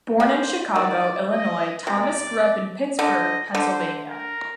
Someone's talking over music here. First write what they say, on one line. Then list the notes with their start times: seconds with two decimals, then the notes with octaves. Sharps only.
Born in Chicago, Illinois, Thomas grew up in Pittsburgh, Pennsylvania.
0.20 G3 C5
0.75 D#3 D5
1.32 D#5
1.87 C3 D5
2.99 D3 D#5
3.55 D3 C5
4.11 A#4